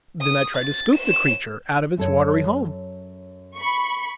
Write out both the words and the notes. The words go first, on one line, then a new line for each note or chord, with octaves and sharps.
Then I tried to scoop the creature out of its watery home.
D#6
A6
E7
F#2 A4 C#5
B5 C#6